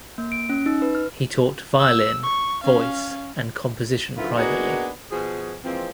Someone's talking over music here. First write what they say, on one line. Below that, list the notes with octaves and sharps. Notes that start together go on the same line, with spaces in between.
He taught violin, voice and composition privately.
A#3
D7
C#4
D#4
B4
F6
E6
C#6
C#4 F5
F#2 D3 B3 E4 F4
A#3 B3 D4 D#4 F#4 G#4
B2 F3 F#4 G#4
E3 F3 G#3 A#3 C4